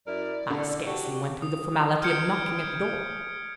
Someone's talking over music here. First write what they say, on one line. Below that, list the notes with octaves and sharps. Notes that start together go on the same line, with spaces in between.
I scarcely went through the formality of knocking at the door.
F#2 E4 A#4 D5
A2 D3 A4
D4 F#4 G4
D#6
F6 G6 G#6 C#7 D7